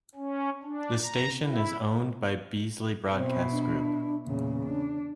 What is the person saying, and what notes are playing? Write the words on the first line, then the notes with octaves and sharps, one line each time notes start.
The station is owned by Beasley Broadcast Group.
C#4
D4
A#5
E4
B2 C4 E4
D4
E2 A#2 C#3
D4